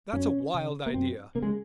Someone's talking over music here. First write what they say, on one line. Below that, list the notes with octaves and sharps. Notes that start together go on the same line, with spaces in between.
That's a wild idea.
F#2 C#4
C#3
A#3
F#2 C4
C#3 A#3
G#3